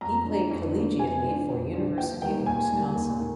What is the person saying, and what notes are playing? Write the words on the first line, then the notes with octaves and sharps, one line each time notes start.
He played collegiately for University of Wisconsin.
F2 A#5
D3 F3
F2
D3 F3
F2 G#5
D3 F3
F2
D3 F3
D#2 G5
D#3 G3 A#3 G5
D#2 G#5
D#3 G3 A#3
D#2
D#3